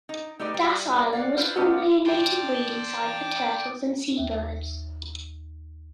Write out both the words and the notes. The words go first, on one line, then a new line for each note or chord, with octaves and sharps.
Das Island was formerly a noted breeding site for turtles and seabirds.
D#4
A3 D#4 G4 B4 D5
G3
D5 F5 F#5
E4 F4 B4 C5
A3 B3 C#4 D#4 G4 D5
D5 G5 A5 C6
D#2 E5